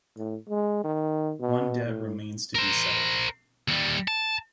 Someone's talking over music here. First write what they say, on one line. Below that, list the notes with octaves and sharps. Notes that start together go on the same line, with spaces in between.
One debt remains to be settled.
A2
G#3
D#3
B2
A2
A#4 C5
D#2 G3
A5